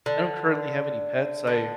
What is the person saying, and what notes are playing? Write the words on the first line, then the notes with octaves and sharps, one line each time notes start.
I don't currently have any pets. I
D3
D3